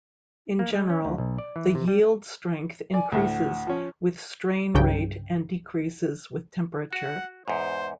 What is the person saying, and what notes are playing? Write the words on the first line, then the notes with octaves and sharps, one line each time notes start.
In general, the yield strength increases with strain rate and decreases with temperature.
A#3
G#3
C#4
D2
B1
D5
E3
C3
G3
D5 G#5
D2 A2 F#5
F3 C#4
C2 G2 C#3 F#3 G5
F#4 F#5
E2 G#2 C5